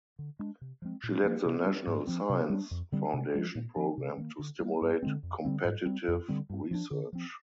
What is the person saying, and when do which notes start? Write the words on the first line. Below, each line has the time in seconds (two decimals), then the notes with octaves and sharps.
She led the National Science Foundation Program to Stimulate Competitive Research.
0.19 D3
0.39 G#3 D4
0.61 C3
0.82 F3 G#3 C4
1.03 A#2
1.24 F3 A#3
1.45 C3
1.66 G3 D4
1.87 G#2
2.07 F3 C4
2.29 C3
2.50 G3 D4
2.71 F2
2.92 D3 G3 C4
3.14 C3
3.34 F3 G#3 D4
3.55 A#2
3.76 F3 C4
3.97 C3
4.17 D#3 A#3
4.39 D3
4.60 G3 A#3
4.82 G2
5.02 D3 G#3 C4
5.23 F2
5.45 D3 G3 C4
5.65 G#2
5.86 G3 C4
6.08 F2
6.28 D3 G3 C4
6.50 G2
6.71 F3 G#3 D4
6.91 D3
7.13 F3 C4